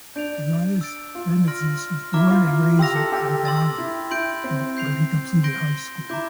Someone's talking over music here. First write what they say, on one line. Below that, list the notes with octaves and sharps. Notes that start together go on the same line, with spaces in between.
Elias Venezis was born and raised in Ayvali, where he completed high school.
D4 G6 D7 F7
E6 A6 D7
F4
C6 F6 A#6 D7
E4 A#5 D6 F6
F4
F4
G4 C6 E6 A#6 F7
A4
G4
C6 E6 A6
E4
E4 C6 G6 D7
C4
G6 C7 F7
C6 G6 A#6 D7 G7
E4 A#5 D6 G6